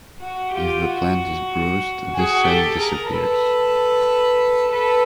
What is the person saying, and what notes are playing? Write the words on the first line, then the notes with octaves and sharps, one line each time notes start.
If the plant is bruised this scent disappears.
F#4
F4 G4
F#4
F#4 G#4
G4 A4
G#4 A#4
A4 B4
A4 B4